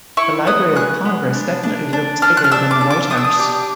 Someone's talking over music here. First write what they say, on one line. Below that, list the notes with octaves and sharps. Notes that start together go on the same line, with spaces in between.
The Library of Congress definitely looks bigger than the White House!
E4 C#6
B3 D#6
G#4 F#6
B3
D4
D4
D4
D4 F6
F#6
F6
D4 E6
D6
D4
D6
D4 D#6
E6
D#6
G4 D6